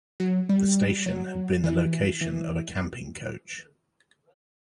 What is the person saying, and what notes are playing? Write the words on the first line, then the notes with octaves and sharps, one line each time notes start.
The station had been the location of a Camping coach.
F#3
G3
F#3
E3
E3